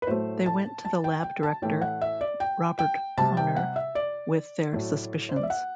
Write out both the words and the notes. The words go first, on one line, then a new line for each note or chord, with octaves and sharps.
They went to the lab director, Robert Kloner, with their suspicions.
B4
A2 F#3 A3 C5
A5
A5
G5
G5
A5
A2 E3 A3 G5
F#5
E5
D5
G5
G5
C3 G3 A5
G5
F#5
E5
D5
A2 F#3 A3
C5
D5
E5
F#5